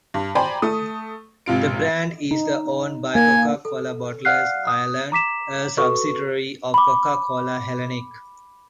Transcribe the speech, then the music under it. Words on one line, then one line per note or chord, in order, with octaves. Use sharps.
The brand is owned by Coca Cola Bottlers Ireland, a subsidiary of Coca-Cola Hellenic.
G2
C5 D5 G5 G#5 A#5 B5
A3 D#6
G#1 C3 F4 D7
D#4
A#3 G#5
A4
D5 F5 F#5 F6 F#6 C7
D#6
A#5 D6 B6 E7
F#4 A4 B4 C#6
B5 D6